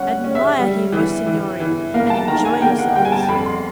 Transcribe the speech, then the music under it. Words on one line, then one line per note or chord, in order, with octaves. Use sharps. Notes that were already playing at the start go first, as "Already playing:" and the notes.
Admire him, O signori, and enjoy yourselves.
Already playing: G3 C#4 F#5
C#4
E5
G3
E3
E3
E3
A#3 F5
A5
D#3 A#5
G#5
A#3 G5
F#5
G3 G5
G#5
A5
F2 B5
C6